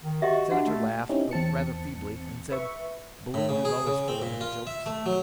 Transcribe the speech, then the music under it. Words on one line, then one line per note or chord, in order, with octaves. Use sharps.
The Senator laughed, but rather feebly, and said, "Balloon is always full of his jokes."
D#3
F#4 G4 D#5 E5
D4 F#4 F#5
A3
C4 C#4 D#4 E4 G4
E2 C4 A5 C#7
B4 E5 C#6
A2
C#3
G#4
C#3
C4
A#2
F4
E5
A3
F#3